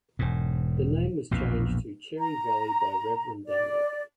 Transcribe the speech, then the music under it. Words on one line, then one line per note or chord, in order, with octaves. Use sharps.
The name was changed to Cherry Valley by Reverend Dunlop.
E1 G#2
A#1 E2 B2
A#5
D5